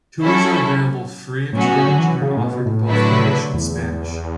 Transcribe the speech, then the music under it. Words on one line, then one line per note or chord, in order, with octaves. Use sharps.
Tours are available free of charge and are offered in both English and Spanish.
F#3 C#4 E4 A4
A2 F#3 C#4 F#4
B2
C#3
D3
E3
C#3
A2
B2
A2
D3 F#3 A3 E4 B4
E2